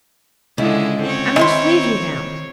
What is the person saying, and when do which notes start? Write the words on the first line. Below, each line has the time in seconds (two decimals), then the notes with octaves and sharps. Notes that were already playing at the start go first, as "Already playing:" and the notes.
I must leave you now.
0.58 C#2 D3 G#3 E4
1.02 C4 C#5
1.37 D#3 E4 C6